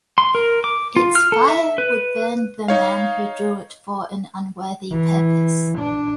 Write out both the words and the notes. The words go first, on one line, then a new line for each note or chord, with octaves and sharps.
Its fire would burn the man who drew it for an unworthy purpose.
C6
A#4
D6
F4
F6
A4
E5
B4
D#4 C#5 F5
E3
D4